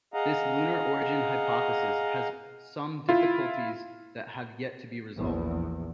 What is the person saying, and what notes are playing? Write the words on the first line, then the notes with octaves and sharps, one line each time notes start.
This lunar origin hypothesis has some difficulties that have yet to be resolved.
G#4 D#5 F5 F#5 A#5
E4 F4
A#1 E2